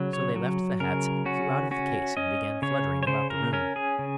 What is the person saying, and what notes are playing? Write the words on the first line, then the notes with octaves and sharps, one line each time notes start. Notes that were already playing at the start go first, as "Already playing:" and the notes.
So they left the hats, flew out of the case and began fluttering about the room.
Already playing: C#3 F#3
C#5
F#3
C#3 A#4
C#4 F#4
C#4 F#4
C#4 D#5
C#3 C#5
C#5
C#3 C5
A#4
C#4 A#4
G#4
C#3